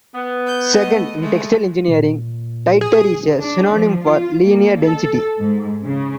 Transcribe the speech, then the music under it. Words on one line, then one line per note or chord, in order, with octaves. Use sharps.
Second, in textile engineering, titer is a synonym for linear density.
B3
G6
A3 D#5
G#3 A3
A#2
G#4
D4
F3
F4
A#3
A4
G#2
C#3